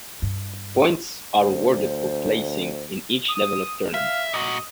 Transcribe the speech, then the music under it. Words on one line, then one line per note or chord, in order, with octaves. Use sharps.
Points are awarded for placing in each level of tournament.
G2
D2 C5
D#6
E5 F5
A#2 F#4 D#5